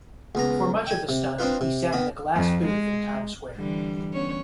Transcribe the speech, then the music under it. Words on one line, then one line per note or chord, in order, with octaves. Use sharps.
For much of the stunt, he sat in a glass booth in Times Square.
C#2 B3 A#5
G5 G#5
C3
C4 D4 D#4 F4 B4
C3
D#3 B3 B5
F2
G#3
D3 E3 G3
B3 C#4 C#5